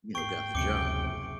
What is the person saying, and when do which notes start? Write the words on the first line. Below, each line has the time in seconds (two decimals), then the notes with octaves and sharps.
you know, got the job, you know
0.15 G#1 G5 C#6 C7
0.55 F#1 D2 C3 D6 C#7 D7